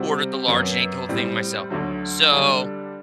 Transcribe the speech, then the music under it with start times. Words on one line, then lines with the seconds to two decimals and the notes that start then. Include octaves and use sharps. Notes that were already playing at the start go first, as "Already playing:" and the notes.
ordered the large and ate the whole thing myself. So
Already playing: C3 G3 C4 F#4
0.48 F#2 F#3 B3
1.09 A2 G3 C4
1.70 D2 D3 F#3
2.31 D3 G3 D4